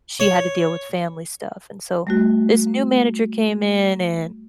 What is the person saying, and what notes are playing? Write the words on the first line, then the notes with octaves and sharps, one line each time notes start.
she had to deal with family stuff, and so this new manager came in, and
C#5
G3 A3 F#4